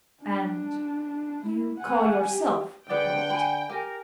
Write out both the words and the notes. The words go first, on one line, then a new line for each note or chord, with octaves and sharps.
"And--you call yourself a poet?"
D4
E4
F#5 G#5
G4
D3 G#4 B4 D5 F#5 G5
G#5 B5
G4 A#4 G#5